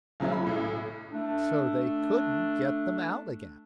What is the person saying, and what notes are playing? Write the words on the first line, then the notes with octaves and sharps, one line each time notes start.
So they couldn't get them out again.
B1 C#3 F#3 F4 E5
B5
B1 A2 E4
A3 D4